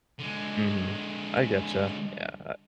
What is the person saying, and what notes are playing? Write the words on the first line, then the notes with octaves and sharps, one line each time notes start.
Mhm. I get you, yeah I
D3 G#3